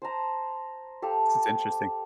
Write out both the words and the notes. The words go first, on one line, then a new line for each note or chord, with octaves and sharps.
This is interesting.
C5 A5 A#5
G4 A4 F5